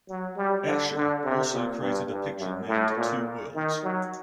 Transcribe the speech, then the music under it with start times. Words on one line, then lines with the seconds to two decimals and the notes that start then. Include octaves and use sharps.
Escher also created a picture named "Two Worlds".
0.09 F#3
0.37 G3
0.66 D3
0.95 D3
1.24 C3
1.53 A#2
1.81 G2
2.10 G2
2.39 F#2
2.68 A2
2.97 A#2
3.55 D#3
3.83 F#3